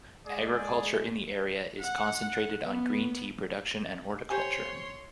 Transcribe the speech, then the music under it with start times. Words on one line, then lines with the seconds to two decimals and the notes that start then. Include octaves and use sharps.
Agriculture in the area is concentrated on green tea production and horticulture.
0.25 G#3 G#4 D5
1.80 F#5
2.64 B3
4.30 G4 C5 C#5 G#5 C6